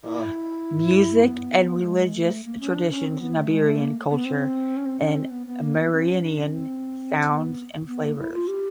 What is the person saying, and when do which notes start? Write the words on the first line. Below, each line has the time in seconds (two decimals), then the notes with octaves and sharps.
Music and religious traditions in Iberian culture and Amerindian sounds and flavors.
0.04 E4
1.24 B3
1.85 G#3
2.15 A3
2.44 A#3
2.60 C#4
2.75 D4
2.90 C#4
3.06 C4
3.20 B3
3.36 A3
3.51 G#3
3.65 A3
3.81 A#3
4.11 B3
4.25 C4
4.77 C#4
4.86 C4
5.01 C#4
5.17 C4
5.31 B3
5.47 B3
5.61 A#3
5.76 B3
5.91 C4
6.06 C#4
6.22 D4
6.37 C#4
6.51 C4
7.27 B3
7.88 B3
8.03 A#3
8.18 E4
8.33 F4
8.48 G4